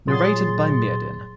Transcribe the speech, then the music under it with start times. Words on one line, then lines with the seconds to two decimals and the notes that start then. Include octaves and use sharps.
Narrated by Myrddin.
0.07 A#2 F#3 G#4 C6 A6